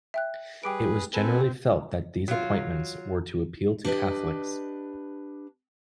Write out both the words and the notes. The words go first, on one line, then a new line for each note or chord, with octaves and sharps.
It was generally felt that these appointments were to appeal to Catholics.
E5 G5 F#6
G3 G#4 B4 G5 D6 D7
C4 A4 B4 G#5
F#3 F4
D4 G4 B4 D#5